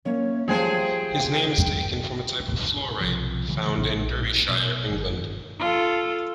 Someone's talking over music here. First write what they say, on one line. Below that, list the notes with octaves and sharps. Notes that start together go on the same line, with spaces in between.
His name is taken from a type of fluorite found in Derbyshire, England.
A#3 C#4 C#5 E5
F3 G3 A3 G#4 C5 G5
B1 C3 F3
D2 C#3 E3 G3
A#1 G3 B3 D4
A#1
B2 F#3
G1 D#3
F4 A4